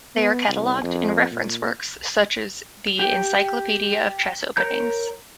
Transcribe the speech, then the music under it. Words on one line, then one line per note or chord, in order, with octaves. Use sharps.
They are catalogued in reference works such as the "Encyclopaedia of Chess Openings".
B3
C2
F2
A#2
G4 G5
A#4 C#5 A#5 G6